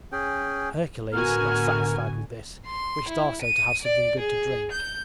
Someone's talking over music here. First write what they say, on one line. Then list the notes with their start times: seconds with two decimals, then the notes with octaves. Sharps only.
But Hercules, not satisfied with this, wished also to have something good to drink.
0.12 C#4 G#4 G5
1.13 A2 D3 B3 F#4 A#4 G#5 F6
2.66 C6
3.09 E4
3.42 D#7
3.82 D5
4.19 G#4
4.71 G6